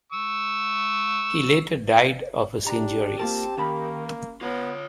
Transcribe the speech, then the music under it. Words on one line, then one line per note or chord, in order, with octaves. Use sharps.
He later died of his injuries.
C#6 E6
D4 G4 A#5
A#3 C4 F4 A#4 A5
D#3 A#3 C#4 A5 B5
B3 F4 C#5